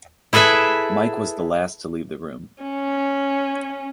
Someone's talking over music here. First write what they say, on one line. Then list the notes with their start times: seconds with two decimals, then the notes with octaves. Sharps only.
Mike was the last to leave the room.
0.33 E4 G#4 A4 B4 E5
2.63 C#4